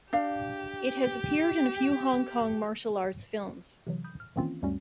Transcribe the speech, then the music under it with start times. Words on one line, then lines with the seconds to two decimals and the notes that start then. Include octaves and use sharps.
It has appeared in a few Hong Kong martial arts films.
0.13 D4 G4 F5
3.87 C3 E3 F#3
4.04 B5 D#6 G6
4.20 F6
4.36 D#3 E3 A#3 C4 C#4 F4
4.62 D2 G2 G3 A3 C#4 F#4